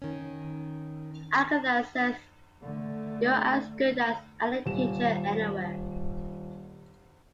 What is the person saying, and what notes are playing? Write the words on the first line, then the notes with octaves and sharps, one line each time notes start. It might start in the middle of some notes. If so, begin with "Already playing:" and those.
Agatha says you’re as good as any teacher anywhere.
D#3 C#4
D3 A3
D#1 E7